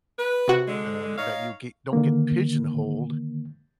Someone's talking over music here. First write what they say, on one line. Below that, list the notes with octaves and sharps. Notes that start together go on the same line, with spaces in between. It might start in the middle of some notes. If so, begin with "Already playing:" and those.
um, that you get don't get pigeonholed
B4
C3 F#4
D3 G#3
D#4 C#5 F5
D3 D#3 A#3